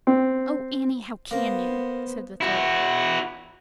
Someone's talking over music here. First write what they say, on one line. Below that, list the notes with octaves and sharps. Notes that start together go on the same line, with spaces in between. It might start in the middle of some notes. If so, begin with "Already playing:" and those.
"Oh, Anny, how can you!" said the third.
C4
A#3 B3 C5
E4 F#4